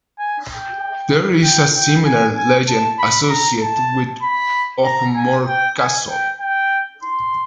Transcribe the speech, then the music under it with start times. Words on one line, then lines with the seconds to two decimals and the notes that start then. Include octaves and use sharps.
There is a similar legend associated with Ogmore Castle.
0.19 G#5
0.51 G5
1.43 G5
1.75 G5
2.06 G#5
2.36 G#5
2.68 A5
2.99 B5
3.30 A#5
3.61 A5
4.23 B5
4.85 A#5
5.16 G#5
5.47 G5
5.79 G#5
6.09 G5
6.40 G5
7.03 C6